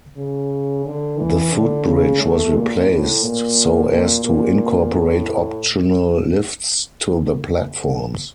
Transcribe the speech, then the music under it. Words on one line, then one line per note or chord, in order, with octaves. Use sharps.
The footbridge was replaced so as to incorporate optional lifts to the platforms.
C#3
D3
E3
D3
C#3
A3
A#2
A2
A#2
A#2
A#2
A2